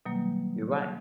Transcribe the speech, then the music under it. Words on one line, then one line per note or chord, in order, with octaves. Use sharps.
You're right.
B2 D#3 F#3 G3 A#3